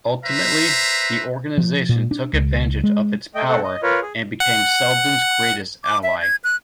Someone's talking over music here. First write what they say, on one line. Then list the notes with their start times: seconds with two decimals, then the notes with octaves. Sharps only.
Ultimately, the organization took advantage of its power and became Selden's greatest ally.
0.25 B4 C5 E5 A#5
1.58 F3
1.89 A#2
2.11 D4
2.33 C#2
2.84 G#3
3.35 A3 D#5 G5
3.49 A3 C4 A4 F#5
3.63 D#5
3.83 F4 A#4 B4 C#5
4.02 G#4
4.40 F#5
5.84 D6
6.03 E5
6.22 G#6
6.44 F#6